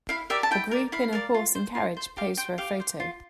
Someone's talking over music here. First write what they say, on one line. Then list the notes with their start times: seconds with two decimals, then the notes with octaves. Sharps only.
A group in a horse and carriage pose for a photo.
0.09 E4 F5
0.30 G4 A#4 D5 E5
0.43 A5
0.51 E4 G5
0.71 A#4 D5
0.92 E4 F5
1.13 A#4 D5
1.34 F4
1.55 C5
1.75 F4
1.97 C5
2.17 G4 F5
2.37 C5 G5
2.58 G4 F5
2.80 C5
3.00 F4